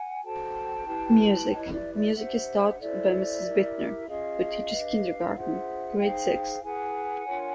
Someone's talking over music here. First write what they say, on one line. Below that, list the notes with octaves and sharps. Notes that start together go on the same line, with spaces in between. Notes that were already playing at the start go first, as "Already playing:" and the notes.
Music: Music is taught by Mrs. Bittner, who teaches Kindergarten - Grade Six.
Already playing: F#5 G#5
F#4 A4 C5 G5 A5
E4 G4 B4
E4 G4 B4 C#5 D#5
D5 E5
D5 E5
D4 G4 C5 E5 F#5
E4 A4 C5 D5 E5
E4 G4 A#4
C#4 F4 G#4 D#5 F5
D4 G4 B4
D4 F4 G#4 C5 E5 F#5
D#4 G#4 C5 F5 G5
E4 G#4 B4 F#5 G#5
D4 F4 A#4 C#5